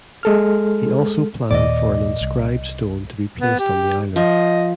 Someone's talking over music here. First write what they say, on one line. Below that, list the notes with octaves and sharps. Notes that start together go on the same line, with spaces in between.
He also planned for an inscribed stone to be placed on the island.
G#3 A4 F6
D#2 A#2 A#3 D5 D#5
C2
B3
G4
F3 D#5